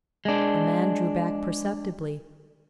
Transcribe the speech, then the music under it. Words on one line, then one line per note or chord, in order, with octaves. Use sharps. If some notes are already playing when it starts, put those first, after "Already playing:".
The man drew back perceptibly.
G#3 D4